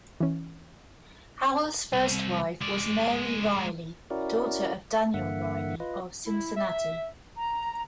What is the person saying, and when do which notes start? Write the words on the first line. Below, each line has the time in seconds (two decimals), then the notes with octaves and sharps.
Hoel's first wife was Mary Riley, daughter of Daniel Riley, of Cincinnati.
0.20 E3 C#4
1.93 C2
2.62 G#3 D5
4.10 C#4 E4 F#4 A#4 D5
5.14 G2 D3 A#3 E5 F#5
5.80 F4 B4 D#5
6.26 E4
6.56 E5
7.37 A#5